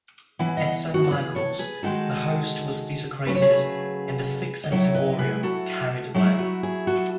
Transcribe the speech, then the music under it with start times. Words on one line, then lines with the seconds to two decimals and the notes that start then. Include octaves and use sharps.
At Saint Michael's, the Host was desecrated, and the pyx and ciborium carried away.
0.39 E3 B3 E4
0.49 G#5
0.57 D#5 F#5
0.94 F#4 A4
1.04 A4
1.11 G#4 B4
1.35 A4 C#5
1.59 G#4 B4
1.83 D#3 G#3 D#4 F#4 A4
3.26 C#3 F#3 A3 C#4 B4
3.35 C#5
3.42 G#4 B4
4.64 D#5
4.71 A2 F#3 A3 E4 A4 C#5
4.94 B4 D#5
5.19 G#4 B4
5.43 F#4 A4
6.14 F#3 A3 E4 G#4
6.39 F#4
6.63 G#4
6.87 F#4 A4